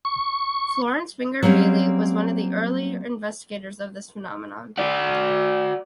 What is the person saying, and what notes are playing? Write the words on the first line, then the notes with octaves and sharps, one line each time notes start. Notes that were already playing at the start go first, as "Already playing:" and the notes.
Florence Winger Bagley was one of the early investigators of this phenomenon.
C#6
F#3 G3 A#3 C4 C#4
F#4 D5